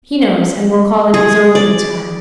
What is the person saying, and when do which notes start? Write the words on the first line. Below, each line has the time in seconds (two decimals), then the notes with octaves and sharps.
He knows and will call in His own good time.
1.14 G#4
1.55 D5